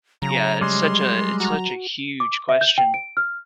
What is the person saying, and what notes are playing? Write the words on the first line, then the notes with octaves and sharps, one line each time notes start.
Yeah, it's such a it's such a huge question,
C#3 F#3 A#5
G3 G#3 C6
F#4 A#5
D6
E5
G6
G5
D7
F6